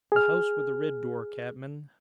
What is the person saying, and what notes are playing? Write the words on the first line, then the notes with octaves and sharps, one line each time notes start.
'The house with the red door, cabmin.
G#4 F6